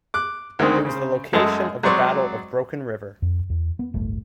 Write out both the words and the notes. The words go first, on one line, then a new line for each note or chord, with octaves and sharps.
It was the location of the Battle of Broken River.
D6 F#6
D2 D#3 G#3 A#3 C4
C#3 C5
F#2 G#3 A3 A4 D#5
F#3 G#3 C4 C5 D5 C#6
F2
E2
B3
D1 G1 A3